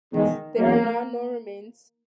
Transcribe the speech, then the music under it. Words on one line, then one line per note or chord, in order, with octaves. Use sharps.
There are now no remains.
E2 B2 D#3 G#3
E2 C#3 F#3 A#3